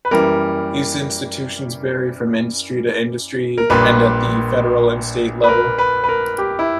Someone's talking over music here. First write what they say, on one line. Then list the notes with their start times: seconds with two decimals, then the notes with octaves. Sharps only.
These institutions vary from industry to industry and at the federal and state level.
0.05 B4
0.11 F#2 E3 G3 A#3 A#4
3.58 A#4
3.70 A#1 A#2 G3 A#3 B4
5.44 B4
5.49 A#4
5.78 B4
6.04 B4
6.09 A#4
6.38 G4
6.59 E4